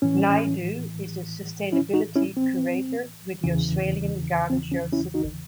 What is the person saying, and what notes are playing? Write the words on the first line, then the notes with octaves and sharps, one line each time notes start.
Naidoo is the sustainability curator with the Australian Garden Show Sydney.
A2 E3 C#4
C#4 E4
D#4 F#4
C#4 E4
C4
E2 C#3 E3
C4
C#4
C#4 E4
D#4 F#4